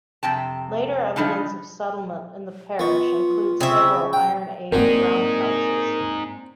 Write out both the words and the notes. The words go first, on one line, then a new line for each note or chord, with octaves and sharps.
Later evidence of settlement in the parish includes several Iron Age roundhouses.
F2 C3 G5 A5
C#3 F3 G3 D4 D#4
B3 F4 C#6
C#3 C4 E5
G5
G#2 A#3 C4 D4 D#4 F#4 G#4 A#4